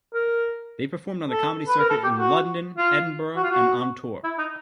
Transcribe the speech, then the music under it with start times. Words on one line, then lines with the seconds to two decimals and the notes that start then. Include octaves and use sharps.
They performed on the comedy circuit in London, Edinburgh and on tour.
0.14 A#4
1.31 A4
1.68 B4
1.79 A#4
1.90 A4
2.04 G4
2.18 F#4
2.78 F4
3.36 F#4
3.43 F4
3.50 F#4
4.24 E4
4.38 D#4